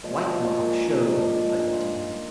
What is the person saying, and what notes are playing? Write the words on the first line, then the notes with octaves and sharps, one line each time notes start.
White marks showed on the pudgy tan.
A#2 F3 G#3 D#5
D5
G#4
A#4
D4 D#4
D4
D#4
F4